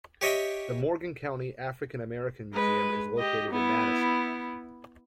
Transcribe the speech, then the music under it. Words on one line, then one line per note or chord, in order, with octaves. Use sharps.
The Morgan County African American Museum is located in Madison.
G4 C#5 D#5 E5 G5
G#3 B4
G4 D#5
B3 E4